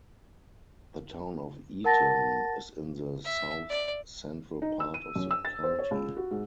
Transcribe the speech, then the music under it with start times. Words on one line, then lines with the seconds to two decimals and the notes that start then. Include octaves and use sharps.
The Town of Eaton is in the south-central part of the county.
1.84 A#4 F#5 A5 A6 A#6
3.24 E5
3.69 D5
4.62 D#4
4.80 E6
4.94 D#7
5.16 F#2
5.31 E6
5.45 A6
5.64 C5
5.79 C#5
5.91 C#2
6.17 F#4
6.31 G#2